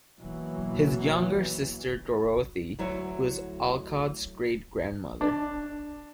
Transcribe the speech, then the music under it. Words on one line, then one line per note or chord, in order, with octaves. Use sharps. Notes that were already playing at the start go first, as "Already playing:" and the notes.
His younger sister, Dorothy, was Alcott's great-grandmother.
B2 E3 F#3 A#3
D2 F#3 E4 C#5
D4